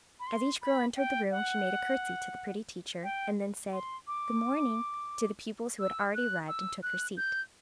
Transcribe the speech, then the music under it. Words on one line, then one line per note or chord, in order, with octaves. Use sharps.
As each girl entered the room she made a curtsey to the pretty teacher, and then said "good-morning" to the pupils who had already arrived, and took her seat.
B5
C6
B5
G5
F#5
G5
C6
D6
E6
F#6
E6
F#6
G6